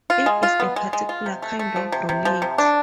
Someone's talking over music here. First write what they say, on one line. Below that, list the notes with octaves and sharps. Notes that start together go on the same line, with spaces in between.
It is a particular kind of roulette.
F4
G#3
F4
B3
G#3
G#3
F4
C3
A3
A3
F3
C3
C3
F3
C3
D4